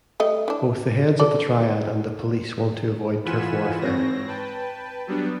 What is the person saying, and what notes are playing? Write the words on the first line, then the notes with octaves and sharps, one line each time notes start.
Both the heads of the Triad and the police want to avoid turf warfare.
G3 A3 D#5
E3 D4
F#4 A4 D5
E3 F4 F#5 G#5 B5 E7
G#2 C4 C#5 A#6
B4 G5 A5
F#3 G3 B3 D4